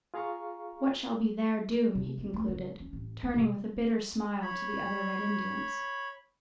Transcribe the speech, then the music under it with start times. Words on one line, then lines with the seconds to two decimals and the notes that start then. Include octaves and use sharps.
What shall be their doom?' he concluded, turning with a bitter smile to the other Red Indians.
0.14 F4 G#4 F5 A#5 C#6
1.95 C3
2.18 D#3
2.34 A3
2.48 C#3
2.80 C#4
2.93 A1
3.23 A#3
3.35 C3
4.42 C#5 B5